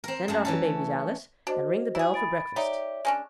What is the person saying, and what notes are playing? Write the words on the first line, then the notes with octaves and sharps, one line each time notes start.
"Send off the babies, Alice, and ring the bell for breakfast."
C4 A#4
F#2 A3
E3 C#4 A4
D4 F#4 C5 D#5
E4 G#4
B5 A6 D7
D#4 G4 C#5 D5 E5
G#3 C#4 D4